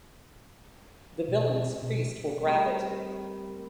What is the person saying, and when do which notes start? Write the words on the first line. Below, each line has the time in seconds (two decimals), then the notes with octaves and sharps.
The villainous priest will grab it.
1.28 B2
1.82 B2
2.41 G3 A3 C4 G4 A#4 B5